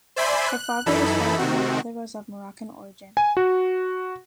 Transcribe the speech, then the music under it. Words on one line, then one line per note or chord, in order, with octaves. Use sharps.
Her father was French and her mother was of Moroccan origin.
C5 D5 E5 G#5 B5 C6
F#6
F#2 E3 D#4 E4 A4 B5
C3 D#3 C4 F#4
G#5
F#4